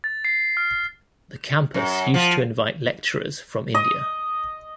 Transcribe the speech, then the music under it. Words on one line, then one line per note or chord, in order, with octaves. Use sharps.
The campus used to invite lecturers from India.
A6
C7
F6
F#2
F3
D#5